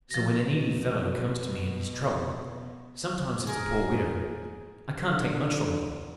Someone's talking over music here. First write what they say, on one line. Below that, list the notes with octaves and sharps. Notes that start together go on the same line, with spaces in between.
So when a needy fellow comes to me in his trouble--sometimes it's a poor widow--I can't take much from them.
B2 F3 A#6
G#4 A#4
D3